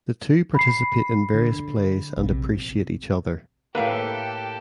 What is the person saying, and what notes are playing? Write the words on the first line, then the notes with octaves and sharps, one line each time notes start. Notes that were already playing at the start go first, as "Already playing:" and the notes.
The two participate in various plays and appreciate each other.
B5 C7
D3
A#1 C3
A2 A#3 G4 A4 B4 E5 F5